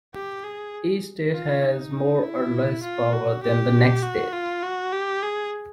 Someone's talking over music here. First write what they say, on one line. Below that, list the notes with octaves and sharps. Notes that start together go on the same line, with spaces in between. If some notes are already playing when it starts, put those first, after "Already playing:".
Each state has more or less power than the next state.
G4
G#4
F4
D#4
E4
F4
F#4
G4
F#4
F4
F#4
G4
G#4